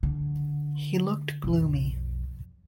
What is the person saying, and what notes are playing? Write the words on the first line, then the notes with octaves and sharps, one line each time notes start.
He looked gloomy.
D3
B1 F2